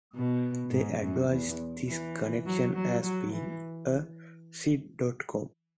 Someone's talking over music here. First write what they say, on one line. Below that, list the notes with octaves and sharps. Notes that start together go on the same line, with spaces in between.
They advertised this connection as being a "sit dot com".
B2
G#2
F#2
E2
E3
F#3
F#3
F#3
E3